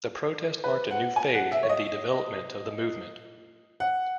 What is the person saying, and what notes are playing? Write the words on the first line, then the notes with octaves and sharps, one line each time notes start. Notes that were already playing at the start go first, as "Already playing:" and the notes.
The protest marked a new phase in the development of the movement.
B4
F#5
G#5
F#5
E5
C#5
D#5
F#5